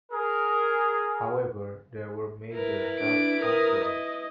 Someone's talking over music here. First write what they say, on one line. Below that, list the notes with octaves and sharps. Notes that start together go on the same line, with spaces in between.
However, there were major health concerns.
G#4 A#4
E4 A#4 B4
D4 D7
A#4 D#6
D#5